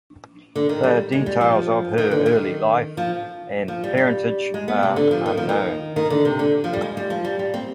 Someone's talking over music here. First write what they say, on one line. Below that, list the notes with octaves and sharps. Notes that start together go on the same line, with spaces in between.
The details of her early life and parentage are unknown.
D3
D#3
G3
G#3
G3
F3
D#3
D3
D#3
F3
F3
G3
G3
G#3
B3
C3
D3
F3
D#3
F3
D#3
D#3
D3
C3
D3
F3
G3
G#3
G3
F3
G3
G3
C4